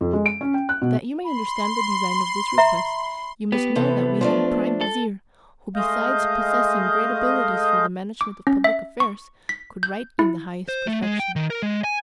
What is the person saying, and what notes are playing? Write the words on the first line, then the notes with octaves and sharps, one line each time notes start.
That you may understand the design of this request, you must know that we had a prime vizier, who besides possessing great abilities for the management of public affairs could write in the highest perfection.
F2
G#3
D7
C#4
G5
F#6
B2
B5 C6
E5 A#5 B5
B3 G4
C3 E3 A4
F3 A3 D4
A4
G#3 A3 D#5 F5 D#6 G6
D6
C#4
E5
C#6
B6
G6
E4
C5
A3
G#3
G5
D#3
A#4
G#3
G#5